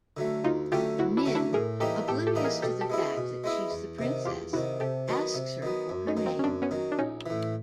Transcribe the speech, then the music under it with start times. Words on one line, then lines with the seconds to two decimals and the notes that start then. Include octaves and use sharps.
Nin, oblivious to the fact that she's the princess, asks her for her name.
0.17 D3 F#3 A3
0.44 D2 D#4 F4
0.72 D3 F#3 A3 C#4 F4 G4
0.99 D2 E4 F#4
1.17 D4 E4
1.26 D3 F#3 A3 C#4
1.35 D4 E4
1.53 A2 G#4 A#4
1.80 E3 G3 A#3 D#4 G4 A4
2.08 A2 G4 A4
2.27 G4 A4
2.35 E3 G3 A#3 D#4
2.44 G#4 A#4
2.62 B2 G4 A4
2.81 G4 A4
2.90 G#3 B3 E4
2.98 F#4 G#4
3.17 B2
3.44 G#3 B3 E4
3.71 E2
3.99 C3 D#3
4.25 E2 F4 G4
4.53 C3 D#3 E4 F#4
4.80 C3 G4 A4
5.08 D#3 F#3 B3
5.34 C3
5.62 D#3 F#3 B3
5.89 F#2
6.07 C#4 D#4
6.17 D#3 F#3
6.26 A#3 C4
6.39 C#4
6.44 F#2 C4 D4
6.62 B3 C#4
6.71 D#3 F#3
6.92 D4
6.99 A#1 C#4 D#4
7.26 A2 E3